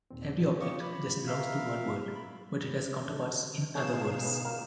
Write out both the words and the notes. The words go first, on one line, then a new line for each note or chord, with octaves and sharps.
Every object just belongs to one world but it has counterparts in other worlds.
D#2 A#2 C4
F4 G4 D#5 C#6
B5
A#4 E5 F5
F#3
B5
D3 A4
B2 C#4 D#4 G#4 A4 F5 E7
G4 B4
C#4 F4 A#4 F5